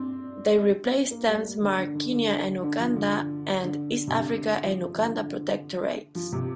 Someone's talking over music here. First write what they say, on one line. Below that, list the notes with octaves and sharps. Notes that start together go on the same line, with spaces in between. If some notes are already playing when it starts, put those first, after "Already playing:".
They replaced stamps marked "Kenya and Uganda" and "East Africa and Uganda Protectorates".
Already playing: C4 D4
A#3
G3
D3
D3
D3
D3
D3
F3
D3
D3
C3
D3
F3
F3
D3
D3
F3
C3